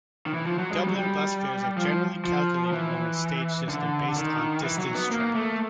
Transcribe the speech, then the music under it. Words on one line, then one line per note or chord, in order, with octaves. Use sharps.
Dublin Bus fares are generally calculated on a stage system based on distance travelled.
D#3
E3
F3
F#3
G#3
G3
F#3
G3
F3
F3
E3
D3
D#3
E3
F#3
B3
A#3
A3